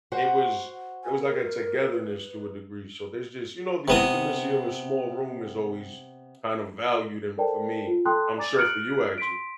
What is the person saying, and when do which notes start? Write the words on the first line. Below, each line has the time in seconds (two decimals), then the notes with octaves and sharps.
it was it was like a togetherness to a degree, so there's just, you know, the intimacy of a small room is always kind of valued and for me I'm sure for you actually.
0.12 F#4 C5 F#5
1.04 G#5
1.20 A#4
1.93 B4
3.88 C3 B3 D#6
7.37 A4 A#4 C5 D5 G5 A5
7.87 F4
8.05 A4 G5 A5 C6 D#6 F#6
8.37 D5 G#5 A#5 D6 A6
8.56 F6 F#6 C#7 D7 F#7
9.18 C6 B6 D7